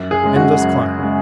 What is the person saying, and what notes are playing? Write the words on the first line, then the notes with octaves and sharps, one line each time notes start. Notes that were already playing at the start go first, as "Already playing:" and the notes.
Endless climb.
Already playing: F#2
G#4
C#3 G#3
F#4
F#2
C#3 G#3